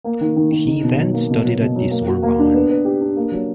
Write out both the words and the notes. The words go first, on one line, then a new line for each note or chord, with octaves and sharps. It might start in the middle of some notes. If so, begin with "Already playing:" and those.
He then studied at the Sorbonne.
A#3
D#3
D#3
D#3
D#4
B2
F#3
A#3
B2
F#3
B2
F#3
A#3
F#4
A#3
D4
B3
B4
G4
D4
A#3
F#3